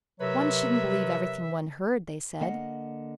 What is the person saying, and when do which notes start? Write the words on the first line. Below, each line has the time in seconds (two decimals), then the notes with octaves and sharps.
One shouldn't believe everything one heard, they said.
0.21 C3 F#3 A#4 B4 C#5 E5
2.41 D3 A#3 D#5 F#5